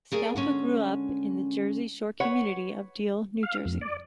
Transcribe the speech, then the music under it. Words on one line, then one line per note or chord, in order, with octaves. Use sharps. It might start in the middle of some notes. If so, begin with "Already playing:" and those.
Scialfa grew up in the Jersey Shore community of Deal, New Jersey.
A3 G#4 A#4 D5
D3 G#3 C#4
B4 C#5 F#5
F5
F2
D5